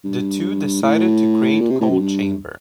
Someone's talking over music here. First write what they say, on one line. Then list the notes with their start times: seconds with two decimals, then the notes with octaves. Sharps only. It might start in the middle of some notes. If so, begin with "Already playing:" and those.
The two decided to create Coal Chamber.
0.04 G2
0.82 A2
1.61 A#2
1.70 C3
1.80 A2
1.90 F#2
2.00 G2